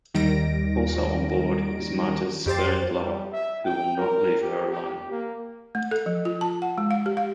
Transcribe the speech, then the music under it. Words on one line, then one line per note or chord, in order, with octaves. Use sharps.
Also on board is Marta's spurned lover, who will not leave her alone.
D#2 D#3 G3 A#6 D7
F2 G4 C5 A6
G3
E5
G5
A#4
G4
G4
A#3
A3
A4
F3
F4
A5
F#5
G#3
F5
G4
F5